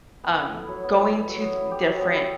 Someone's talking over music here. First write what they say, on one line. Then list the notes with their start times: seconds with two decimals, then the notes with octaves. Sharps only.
um, going to th different
0.24 B3
0.39 E4
0.53 A4
0.68 F#3
0.83 B3
0.98 E4
1.12 A4
1.27 F#3
1.41 B3
1.56 E4
1.71 G4
1.86 F#3
2.01 B3
2.15 E4